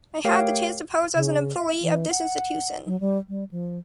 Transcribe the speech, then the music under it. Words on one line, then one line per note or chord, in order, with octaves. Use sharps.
I had the chance to pose as an employee of this institution.
A3 G4 A#4 C#5 F5 G5
C#3
E5
E3
F#5
F#3
G3
G3
F3